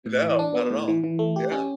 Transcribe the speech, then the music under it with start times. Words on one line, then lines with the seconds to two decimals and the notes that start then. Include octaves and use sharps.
No. Not at all. Yeah.
0.06 A2
0.22 E3
0.39 D4
0.55 B3
0.70 A2
0.88 E3
1.04 E3
1.19 A3
1.36 G4
1.52 C#4